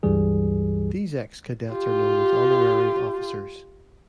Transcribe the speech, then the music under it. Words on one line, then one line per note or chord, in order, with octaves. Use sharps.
These ex-cadets are known as "Honorary Officers".
C#2 G2 E3 G3 G#4
F4 G4